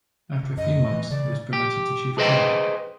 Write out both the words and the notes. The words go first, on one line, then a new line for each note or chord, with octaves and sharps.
After a few months he was promoted to chief clerk.
C3
F#2 D#5
E3
C#3 D5
G4
G#4 B4 C5 D#5 G5